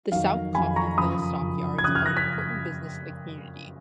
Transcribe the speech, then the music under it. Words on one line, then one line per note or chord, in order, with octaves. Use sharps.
The South Coffeyville Stockyards are an important business in the community.
F2 D#3 F#3 F5
F2 D#3 F#3 G#5 B5
A#5 C#6
F#2 C#3 F3 B5 D#6
F#2 C#3 F3
G#6
F#2 C#3 F3 D#6 F#6
F6 G#6
F#6 A#6
G#6 B6